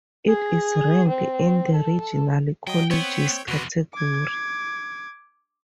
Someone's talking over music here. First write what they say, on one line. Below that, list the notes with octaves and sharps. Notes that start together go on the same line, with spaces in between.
It is ranked in the "Regional Colleges" category.
G#4
C4
A4
F#3 D#5 G5
B3 C4 C#5 G5
E2 C3 F#4 B4
D6 G#6